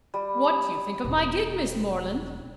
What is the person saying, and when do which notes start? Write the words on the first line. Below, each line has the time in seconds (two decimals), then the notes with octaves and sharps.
What do you think of my gig, Miss Morland?
0.14 G3
1.04 E1 C4